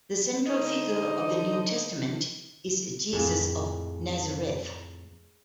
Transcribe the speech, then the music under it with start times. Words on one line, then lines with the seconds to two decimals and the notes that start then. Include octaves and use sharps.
The central figure of the New Testament is Jesus of Nazareth.
0.46 D3 D#4 C5 D#5
3.13 F2 A2 G#4